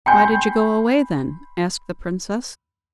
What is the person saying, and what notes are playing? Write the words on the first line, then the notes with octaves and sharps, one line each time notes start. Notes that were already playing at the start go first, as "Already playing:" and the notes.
'Why did you go away then?' asked the princess.
G5 G#5 B5 C6 G6